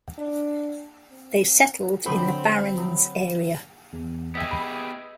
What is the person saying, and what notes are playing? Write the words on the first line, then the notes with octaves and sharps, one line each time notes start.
They settled in the Barrens area.
D4
C4
D3 F#3 C4 C5 B5
F#3
E2
B3 G4 G#4 D#5 E5 B6
B5